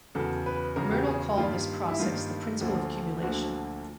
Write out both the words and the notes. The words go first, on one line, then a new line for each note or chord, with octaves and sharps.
Myrdal called this process the "principle of cumulation".
E2 C#3 F#3 A4
B4
E2 C#3 F#3 A#4
G4
G#4
G2 D#3 G3 A#3 F4
E4
G2 D#3 G3 A#3 F4
D2 D3 F3 A#3
D2 D3 F3 A#3 F#4